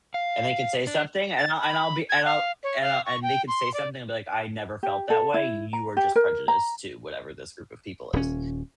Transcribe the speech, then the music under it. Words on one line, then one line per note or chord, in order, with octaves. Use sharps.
and they can say something, and I'll and I'll be and I'll and I and they could say something and be like, "I never felt that way, you are just prejudiced to whatever this group of people is,"
F5
D4
A6
B5
G#6
F5
C#5
F5
C#6
G5
C6
D5
G4
A4
E4
A#5
G4
A#4
A#5
D#1 C#4